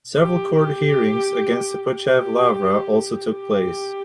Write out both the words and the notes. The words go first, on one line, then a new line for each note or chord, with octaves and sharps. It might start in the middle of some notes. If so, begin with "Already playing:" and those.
Several court hearings against the Pochayiv Lavra also took place.
G4
G4
G4
G4